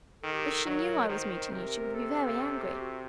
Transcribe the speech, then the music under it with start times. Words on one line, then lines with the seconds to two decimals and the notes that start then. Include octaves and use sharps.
If she knew I was meeting you she would be very angry.
0.22 D#3 A4
0.33 G4
0.44 A4
0.65 F#3 A#4
1.09 D#3 C5
1.51 C3 A#4
1.94 A4
2.73 G4
2.80 F#4
2.92 F#4